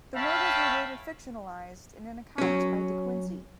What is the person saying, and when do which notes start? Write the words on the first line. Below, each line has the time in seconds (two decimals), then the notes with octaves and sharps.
The murders were later fictionalised in an account by De Quincey.
0.15 C#4 E5 F5 G5 A5 B5
2.38 F#3 C#4